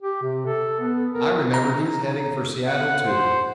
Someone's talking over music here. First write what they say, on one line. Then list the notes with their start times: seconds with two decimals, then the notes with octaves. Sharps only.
I remember; he's headed for Seattle, too.
0.01 G4
0.22 C3
0.46 A4
0.80 B3
1.11 A#4
1.54 A#5
2.66 F#5
3.06 C5